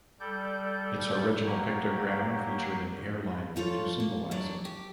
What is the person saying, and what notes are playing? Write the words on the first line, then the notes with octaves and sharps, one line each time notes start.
Its original pictogram featured an airliner to symbolize it.
G3 A4 D5 G6
F#3 A#3 G4
F3 F4 A4 C#5
A#3
F#3 D4
G4